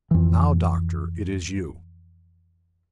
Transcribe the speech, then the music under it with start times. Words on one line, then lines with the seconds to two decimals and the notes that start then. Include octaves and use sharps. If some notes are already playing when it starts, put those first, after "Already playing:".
"Now, doctor, it is you."
0.11 F2 E3